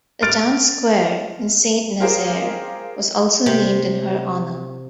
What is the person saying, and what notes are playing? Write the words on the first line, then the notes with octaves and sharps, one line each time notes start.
The town square in Saint Nazaire was also named in her honor.
F6 A6 D7
F4 G4 G#4 A#4 C5
C3